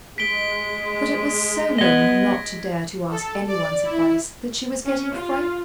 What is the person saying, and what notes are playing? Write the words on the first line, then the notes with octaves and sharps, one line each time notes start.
But it was so lonely not to dare to ask anyone's advice, that she was getting frightened.
G#3 B6 D7 G7
B3 D#5 G#6 A#6
A4
D5
E4
C#4
F4